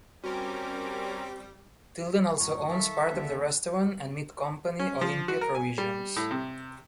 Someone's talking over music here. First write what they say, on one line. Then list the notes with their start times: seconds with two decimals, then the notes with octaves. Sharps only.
Tilden also owns part of the restaurant and meat company Olympia Provisions.
0.24 G3 C4 C#4 F#4 A#4 D6
2.39 F#2 A2 A#5 C#6
2.71 D#3 A4 E5 F5 A#5
3.10 D#2 D3
4.79 C#4
5.01 F3
5.28 F#4
5.41 A#4
5.55 G#5
5.78 G3
6.16 A2
6.31 C3